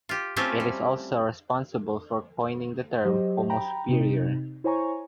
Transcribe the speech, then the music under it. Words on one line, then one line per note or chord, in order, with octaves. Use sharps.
It is also responsible for coining the term "homo superior".
F4 G4
A3 C4 C#4 E4 F4 G4
G3
F#3 G4 C5 D#5
G5 A#5 B5
C3 C4 D#4
E4 C5 C#5 G#5 A#5 C#6